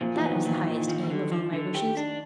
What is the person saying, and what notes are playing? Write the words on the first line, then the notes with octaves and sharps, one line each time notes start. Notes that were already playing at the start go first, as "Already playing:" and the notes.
That is the highest aim of all my wishes!
A#2 F3
E3
B3
D#3
A#2
A#2
D#3 F3
D3
F3
D3
G4
D4